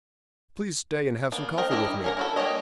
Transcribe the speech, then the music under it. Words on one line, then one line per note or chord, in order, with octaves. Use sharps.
"Please stay and have some coffee with me."
A#3 B3
C4 A#4 D#5
G3 D4 E4 A#4 D#5
C#4 A#4 A#5
E4 F#4 A4
G3 A#3 D4 C#5 D#5